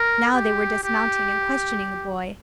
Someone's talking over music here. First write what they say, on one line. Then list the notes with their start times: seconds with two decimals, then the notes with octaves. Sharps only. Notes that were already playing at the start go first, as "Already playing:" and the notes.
Now they were dismounting and questioning the boy.
Already playing: A#4
0.34 G4
0.83 G4